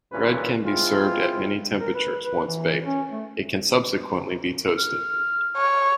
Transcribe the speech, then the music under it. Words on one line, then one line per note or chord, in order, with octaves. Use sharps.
Bread can be served at many temperatures; once baked, it can subsequently be toasted.
D2 G2 A#2 E3 C#4 B4
G#3 C4 E4 F4
A#4
B4
B4
E3
C#4
A3
F6
C#5